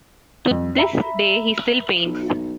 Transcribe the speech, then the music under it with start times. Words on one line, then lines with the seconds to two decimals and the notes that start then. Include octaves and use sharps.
To this day he still paints.
0.51 F2
0.78 E5 A#5 B5
2.05 B1